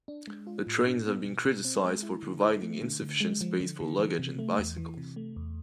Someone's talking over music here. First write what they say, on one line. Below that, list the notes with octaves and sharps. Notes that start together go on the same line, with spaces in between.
The trains have been criticised for providing insufficient space for luggage and bicycles.
D4
G#3
F4
A2
D4
B3
B2
B2
C4
G#3
E4
D3
E4
A3
D3
D3
G#3
F3
D3
D3
E3
C3
A3
E2
E3
C3
A3
E2